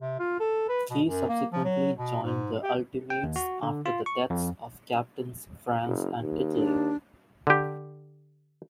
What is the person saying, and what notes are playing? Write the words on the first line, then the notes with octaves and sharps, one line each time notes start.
He subsequently joined the Ultimates after the deaths of Captains France and Italy.
C3
F4
A4
B4
B2
F#2
A#3
F3
F#3
B2
G#2
G4
G5
D#2
F#4
D3
F4
C#6
F2
F#1
D#2
D4
D3 G4